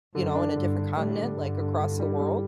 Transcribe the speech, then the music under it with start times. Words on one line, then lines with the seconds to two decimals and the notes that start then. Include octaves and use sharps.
you know, in a different continent, like, across the world.
0.15 F#2 D3
0.35 D4
0.56 G2 D3
0.77 D3
0.97 A2 G3
1.18 D3
1.38 G2 D3
1.59 D3
1.79 D3
1.99 G3
2.21 G3